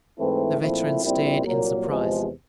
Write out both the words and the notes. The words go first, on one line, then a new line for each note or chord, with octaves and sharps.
The veteran stared in surprise.
G#2 E3 A3 C4 E4
A#2 F3 A3 C4 E4
A#1 A#2 G3 C4 E4
C2 A#2 F#3 A#3
E2 C3 F3 G#3